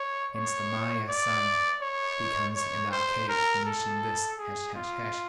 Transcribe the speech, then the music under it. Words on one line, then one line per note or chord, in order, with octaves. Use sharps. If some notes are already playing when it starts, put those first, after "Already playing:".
Hence the Maya sign becomes in the archaic Phoenician this, ### .
Already playing: C#5
C#5
D5
C#5
C#5
C5
A#4
A4
G#4
F4